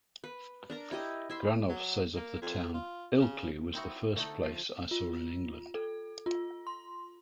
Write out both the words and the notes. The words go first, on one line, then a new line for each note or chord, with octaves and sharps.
Granov says of the town, Ilkley was the first place I saw in England.
B4
D4 A#4 A#5
E4 G4 D#5
E4 E5 C6
F#3
A#3
F2
F4
C#3
C4 D#4 E4 F#4
D3 A3 D4 D#4
F3
F4
A4
F4
C6